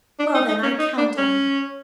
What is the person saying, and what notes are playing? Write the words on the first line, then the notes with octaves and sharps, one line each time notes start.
"Well, then, I count on you."
D4
D#4
D#4
C#4
D#4
D4
C#4